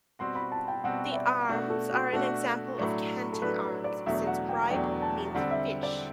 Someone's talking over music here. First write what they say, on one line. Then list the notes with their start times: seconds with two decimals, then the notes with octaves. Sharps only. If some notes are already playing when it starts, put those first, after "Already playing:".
The arms are an example of canting arms, since "ryb" means "fish".
0.19 B2 G3 C4 F#4 C6
0.35 B5
0.52 A5
0.68 G5
0.84 B2 G3 C4 F#4 F#5
1.12 E5
1.16 D5
1.49 B2 A3 D4 F#4
1.70 A4
1.91 F#4
2.13 B2 A3 D4 F#4 A4
2.78 A2 F#3 A3 D4
3.33 A4
3.42 A2 F#3 A3 D4 B4
3.63 B4
3.84 D5
4.06 E2 B2 F#3 A3 D4 E5
4.27 F#5
4.49 G5
4.70 E2 B2 F#3 A3 D4 G5
5.02 A5
5.35 D3 G3 C4 F#5
5.51 E5
5.83 D5